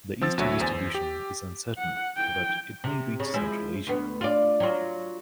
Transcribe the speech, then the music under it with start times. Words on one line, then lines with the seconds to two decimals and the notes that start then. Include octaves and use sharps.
The eastern distribution is uncertain but it may reach central Asia.
0.21 F3 C4 E6 A6
0.38 D2 F#3 C#5 E5
0.60 E2 C5 G#5 A6
0.95 G4
1.78 F#5
2.17 G5
2.84 C3
3.20 C#3
3.34 F3 G#3 E4
3.87 D2 B3
4.21 F4 D5
4.60 F#3 F4